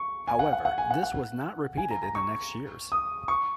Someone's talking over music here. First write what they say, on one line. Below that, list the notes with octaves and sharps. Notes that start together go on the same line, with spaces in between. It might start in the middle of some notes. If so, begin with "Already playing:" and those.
However, this was not repeated in the next years.
Already playing: C#6
G#5
F#5
F#5
F#5
G#5
F#5
F#5
G#5
A#5
A#5
C#6
D#6
C#6